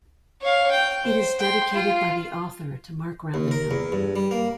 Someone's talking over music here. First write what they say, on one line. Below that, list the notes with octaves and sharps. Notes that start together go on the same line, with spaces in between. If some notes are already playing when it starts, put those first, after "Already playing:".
It is dedicated by the author to Mark Ravenhill.
C#5 F5
G5
C5
G5 C6
F4
D#2
A#4
E2
G2
G3
A#3